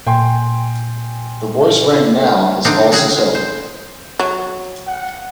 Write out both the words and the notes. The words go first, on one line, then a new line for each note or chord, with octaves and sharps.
The voice rang now as false as hell.
A#2 G5 G#5 C6
D3 C4 D4 D#4 F5 A#5
C#3 C#4 F#4 G#4
C5
F#3
F#5